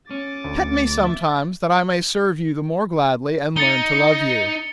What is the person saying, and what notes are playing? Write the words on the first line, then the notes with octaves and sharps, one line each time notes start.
Pet me sometimes, that I may serve you the more gladly and learn to love you.
C#4 D6 A6
D2
E5
D#4 A6 C#7 G7